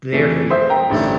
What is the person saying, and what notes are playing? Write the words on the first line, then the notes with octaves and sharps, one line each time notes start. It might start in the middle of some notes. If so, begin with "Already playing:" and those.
their feelings,
F2 E3 A3
C5 E5
G5 A#5
A1 G2 D3 A3 D4